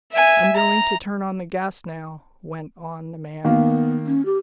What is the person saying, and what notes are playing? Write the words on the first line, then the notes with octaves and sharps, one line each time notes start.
"I'm going to turn on the gas now," went on the man.
E5 G#5
A#5
D#3 A#3 B3
C#4
G4